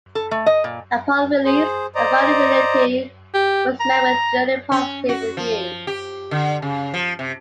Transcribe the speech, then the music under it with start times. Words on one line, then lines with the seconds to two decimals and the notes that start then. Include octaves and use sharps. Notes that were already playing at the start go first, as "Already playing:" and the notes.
Upon release, "A Final Unity" was met with generally positive reviews.
0.15 A4
0.31 A3
0.46 D#5
0.64 A#2
1.45 G#4 C5
1.95 C5 D5 D#5 A#5
3.34 G4
3.80 A#5
4.72 C#4
5.09 F#4
5.37 F3
5.87 G4
6.31 D3
6.62 C#3
6.94 F3
7.19 C3